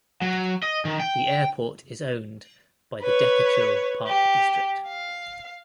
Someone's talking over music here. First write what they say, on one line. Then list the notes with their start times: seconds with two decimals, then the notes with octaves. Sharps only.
The airport is owned by the Decatur Park District.
0.22 F#3
0.63 D#5
0.85 D#3
1.00 G5
3.02 B4 C#5
4.07 G4
4.88 F5